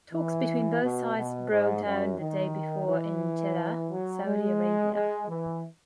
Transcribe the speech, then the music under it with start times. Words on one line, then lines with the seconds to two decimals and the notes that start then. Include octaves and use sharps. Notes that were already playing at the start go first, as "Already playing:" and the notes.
Talks between both sides broke down the day before in Jeddah, Saudi Arabia.
0.13 E3
0.82 B2
1.16 B2
1.50 G#2
1.85 F#2
2.19 D#3
2.88 E3
3.91 F#3
4.25 G#3
4.94 G#3
5.28 E3